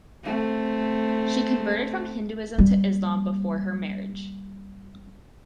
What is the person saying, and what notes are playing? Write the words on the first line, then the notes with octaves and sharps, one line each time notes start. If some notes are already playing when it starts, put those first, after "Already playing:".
She converted from Hinduism to Islam before her marriage.
A3 C4
G3 A#3